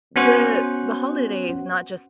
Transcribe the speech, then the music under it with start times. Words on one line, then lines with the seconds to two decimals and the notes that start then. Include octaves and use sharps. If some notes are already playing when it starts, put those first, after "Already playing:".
the the holiday is not just
0.16 B3 C#4 F#4 C5 F#5